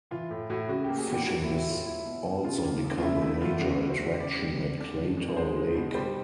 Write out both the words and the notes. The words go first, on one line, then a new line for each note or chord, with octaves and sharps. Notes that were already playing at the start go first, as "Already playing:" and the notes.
Fishing has also become a major attraction at Claytor Lake.
E3 F4
A2
A2 F#4
C#3 F#4
A#3 G4
G#4
E2 G4
F#3 F#4
A2 E4
E4
A2 F4
F#3 E4
B2
B2
C#3 F4
A#3
F#2
F4
C#3 E4
A3 E4
E2 F4
C#3 F#4
A3
C5
E2
C#3 D5
G3
F2 D5
D3 D5
F2
F2
G#3 C5
G#3
B2
G3 C5